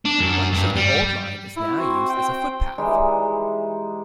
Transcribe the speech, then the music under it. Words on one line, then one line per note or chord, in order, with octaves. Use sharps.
Much of the old line is now used as a footpath.
D4
F#2
G2
G3
E4
C4 F#4
G5
E3 G3 G#3 D#4